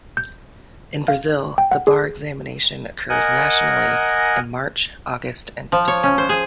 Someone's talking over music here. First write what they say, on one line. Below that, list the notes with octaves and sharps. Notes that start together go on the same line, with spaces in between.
In Brazil, the bar examination occurs nationally in March, August and December.
G6
F5
G5
F#5
G#4
A#4 D#5 F#5 G#5
F3
C#5
C#4
C5
G#4